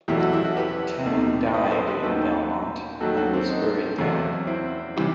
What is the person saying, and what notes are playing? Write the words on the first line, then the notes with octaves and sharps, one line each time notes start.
Cannon died in Belmont and was buried there.
E2 B2 F#3 A3 E4 G4
F#4 A4
E4 G4
F#4 A4
G4 B4
D#2 D#3 A3
B4 D#5
D#5
A4 C5
G4 B4
D#2 D#3 A3 F#4 A4
D#2 D#3 F#3 A3 F#4 A4
F#4 A4
C4
D#4
E2 C3 F#3 A3
C4 E4
C3 E3 G3